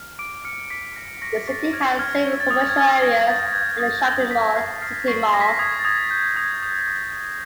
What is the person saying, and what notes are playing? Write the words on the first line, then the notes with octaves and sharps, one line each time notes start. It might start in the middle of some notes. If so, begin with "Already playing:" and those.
The city has several commercial areas and a shopping mall, City Mall.
Already playing: F6
D6 D7
F6 C#7
D6 B6
F6 A#6
C#6 A#6
C#6 A6
F6 G#6
F6 G#6
C#6
A6
D#6 G#6
G#6
D#6 A6
D#6 A#6
G6 A6
A6
G6 G#6
G#6
D#6 A6
A6
F6 A#6
C#6 B6
F6 C7
F6 C7
C#6 C7
C#6 A#6
B6
A#6
D#6 G#6
A6
D#6 G#6
D#6 G6
D#6 G#6
D#6
D#6
C#6